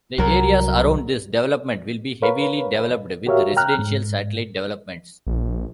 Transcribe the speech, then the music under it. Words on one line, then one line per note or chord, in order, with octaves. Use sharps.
The areas around this development will be heavily developed with residential satellite developments.
C2 F#3 F#4 A#4
A#4 B4 C#5 F5 B5
F#4 G4 A#4 C#5 E5 F5
G5 A#5 F6 F#6
G#2
A#1